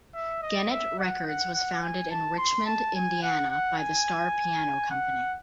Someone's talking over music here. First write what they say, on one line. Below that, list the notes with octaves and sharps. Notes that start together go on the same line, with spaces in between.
Gennett Records was founded in Richmond, Indiana, by the Starr Piano Company.
E5
D#5
E5
F#5
F#5
F#5
G#5
A5
C6
A5
G#5
F#5
F#5
G#5
F#5